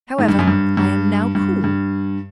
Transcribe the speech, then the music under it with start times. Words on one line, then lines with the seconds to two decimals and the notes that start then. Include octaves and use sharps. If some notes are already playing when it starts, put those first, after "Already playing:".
However, I am now cool.
0.19 G#2
0.28 G2
0.39 F#2
0.48 G2
0.77 G2
1.35 G2
1.64 G2